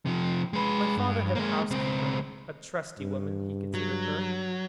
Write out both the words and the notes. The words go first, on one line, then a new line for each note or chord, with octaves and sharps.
My father had a housekeeper, a trusty woman, he considered her.
C3 F3
G#3 B4
G2
G#3 A#3
C#2 C4
G2
F#3